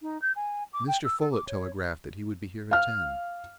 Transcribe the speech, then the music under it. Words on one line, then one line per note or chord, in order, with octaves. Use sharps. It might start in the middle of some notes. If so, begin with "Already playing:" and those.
"Mr. Folett telegraphed that he would be here at ten."
D#4
G6
G#5
D6
G5
E6
A4
D6
C#5
F5 F6